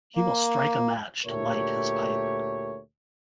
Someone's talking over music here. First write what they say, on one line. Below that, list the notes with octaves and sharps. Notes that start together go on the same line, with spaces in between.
He will strike a match to light his pipe.
A#3
D2 A#2 A3 G4 A#4 C#5